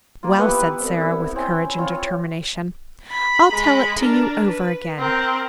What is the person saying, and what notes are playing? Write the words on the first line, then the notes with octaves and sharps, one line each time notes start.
"Well," said Sara, with courage and determination, "I'll tell it to you over again."
A#3 F4
E3 B3 G4 B4 E5 F#5
C2
E4
C4 C#4
C4 F4 C#5
B5
G#3 B5
D4 A#4
B4
C4 A#4